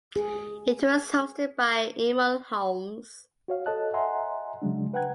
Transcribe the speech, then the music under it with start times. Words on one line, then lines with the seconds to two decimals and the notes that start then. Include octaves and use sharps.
It was hosted by Eamonn Holmes.
0.16 G#4
3.48 F#4 C#5 F5
3.66 A4 C#5 D#5 A5 F#6
3.94 D#5 E5 F#5 G#5 A#5 C6
4.62 C#3 F#3 G#3 D4
4.94 B4 F#5 G5 A#5 F#6 G#6